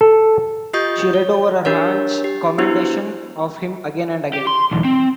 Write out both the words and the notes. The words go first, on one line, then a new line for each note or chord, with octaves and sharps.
She read over her aunt's commendation of him again and again.
A4
F4 G4 D#5 C#6 D#6 G6
C#5
D4 G4 A#4 C#5
G4
B3 D4 E4 F#4 G4 C5
G4
C6
B1 E2
C4